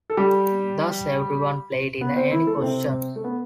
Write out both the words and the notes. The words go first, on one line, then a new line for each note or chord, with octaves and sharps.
Thus, everyone played in any position.
A4
G3 G4
B3 B4
C4 C5
E3 E4
A3 A4
C3 C4
A3
B3